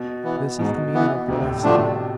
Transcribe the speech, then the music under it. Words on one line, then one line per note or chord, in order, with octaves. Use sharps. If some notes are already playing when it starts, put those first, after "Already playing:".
This is the meaning of what I say.
Already playing: B2
E3 B3
G#2 B2
E3 B3
D2 C3
A2
B2 D3 F3 A3 D4